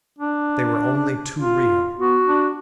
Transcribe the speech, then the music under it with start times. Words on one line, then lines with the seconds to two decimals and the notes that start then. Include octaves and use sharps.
They were only too real.
0.18 D4
1.39 F4
1.98 B3 F#4
2.27 D4